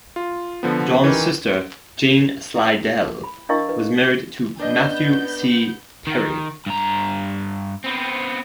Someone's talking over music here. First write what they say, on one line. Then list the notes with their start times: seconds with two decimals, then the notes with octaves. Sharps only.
John's sister, Jane Slidell, was married to Matthew C. Perry.
0.16 F4
0.63 D3 F3 B3
1.04 D#3 E3
2.55 E4
3.24 B5
3.49 D4 E4 A#4 D#5 F5 C#6
3.69 B4
4.59 B3 D4 D#5 G6
6.07 D#3
6.66 G2 A#5
7.84 B3 C4